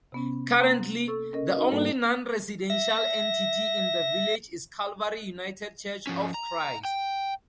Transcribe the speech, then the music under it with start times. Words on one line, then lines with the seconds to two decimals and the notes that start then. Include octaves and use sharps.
Currently, the only non-residential entity in the village is Calvary United Church of Christ.
0.12 C3 B3 C#4
0.58 A#3 A#5 C6
1.08 A4 C#6 E6
1.33 C#4 A#4 D#5
1.53 D#4 F#4 A#4 B4 D#5
1.71 G#2 G3 A#3 A4
2.70 E5 A#6
6.07 F3 C#4
6.34 A#5
6.85 G5